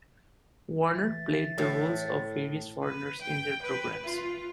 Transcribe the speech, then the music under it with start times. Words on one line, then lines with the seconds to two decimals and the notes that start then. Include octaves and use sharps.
Warner played the roles of various foreigners in their programs.
0.95 E3 E5 A6
1.58 A2
2.83 B4
3.22 G5
3.63 B4
4.04 F4